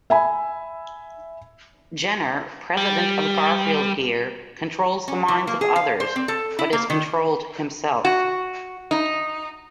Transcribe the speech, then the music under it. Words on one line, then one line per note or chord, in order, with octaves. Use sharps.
Jenner, president of Garfield Gear, controls the minds of others, but is controlled himself.
E5 G#5 B5
G3
C#4
E3
A#3
G#4
F5
C5
C4
A4
E4
A#3
D#3
F#4
D#4